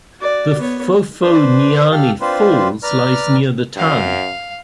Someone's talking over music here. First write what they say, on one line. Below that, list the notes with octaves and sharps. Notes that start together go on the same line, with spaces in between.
The Phophonyane Falls lie near the town.
F#4 D5
B3 C#5
D4 B4 C5
G4 A4 F5
C4 D4 F4 B4 C5
B4 D5 A#5 F6
F#2 F5